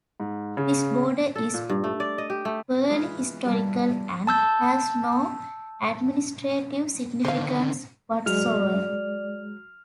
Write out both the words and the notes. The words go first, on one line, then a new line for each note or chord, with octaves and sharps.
This border is purely historical and has no administrative significance whatsoever.
G#2
C#3
A4
A#2
G2
A3
D5
D#5
G4
A3
E3 G#3 F4
G2 G3
A5 E6 G6
D3 D#3 C5 F5
F#3 G#3 D5 F6 F7